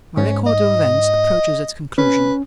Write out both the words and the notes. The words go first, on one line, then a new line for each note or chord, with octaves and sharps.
MY record of events approaches its conclusion.
G#2 C#4
D#5
C#4 B4